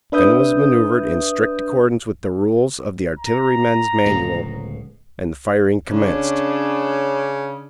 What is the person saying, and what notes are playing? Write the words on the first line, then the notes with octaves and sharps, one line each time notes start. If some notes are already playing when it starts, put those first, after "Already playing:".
The gun was maneuvered in strict accordance with the rules of "The Artilleryman's Manual," and the firing commenced.
D4 B4 E5 D#6 G6
A#5
D1 C#2 B2
C#3 C#4 D4